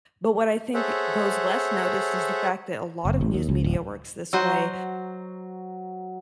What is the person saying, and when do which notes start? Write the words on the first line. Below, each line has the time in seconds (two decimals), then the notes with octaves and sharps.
but what I think goes less noticed is the fact that a lot of news media works this way.
0.74 G#4 A4 C5 C#5 E5 F#5
3.05 F#1
3.21 A1
3.34 D#2
3.49 C#2
3.64 D1
4.33 F#3 F#4 C5 D#5